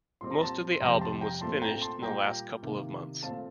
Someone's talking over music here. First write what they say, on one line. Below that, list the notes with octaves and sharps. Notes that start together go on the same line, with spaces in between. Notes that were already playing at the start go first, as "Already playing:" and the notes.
Most of the album was finished in the last couple of months.
A#2 G3 C4 C6
A#5
A5 C6
C6
F2 C3 G3 G5 A#5
A5 C6
G5 A#5
A#2 A3 C4 A5 C6
G5 A#5
A5 C6
A#2 G3 A#3 G5 A#5
C3 D#3 A#3
A#2 A3 C4 F5 A5